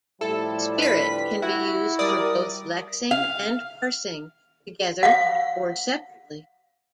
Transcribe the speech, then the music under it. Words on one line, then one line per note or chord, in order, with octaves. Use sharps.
Spirit can be used for both lexing and parsing, together or separately.
A2 F3 G3 E4 A4
D3 B4 B6
E4 F#4
G3 A#4 D5 D#6
F5
F5 F#5